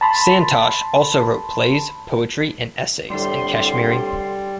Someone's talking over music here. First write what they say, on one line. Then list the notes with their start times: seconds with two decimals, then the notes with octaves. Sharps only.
Santosh also wrote plays, poetry and essays in Kashmiri.
0.01 A5 B5 C6
3.10 C2 A2 D3 G3 C6